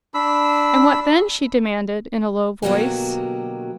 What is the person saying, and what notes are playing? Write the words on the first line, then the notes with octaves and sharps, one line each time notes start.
"And what then?" she demanded, in a low voice.
D4 B5 E6
B2 D3 F#3 A#3 F#4 G4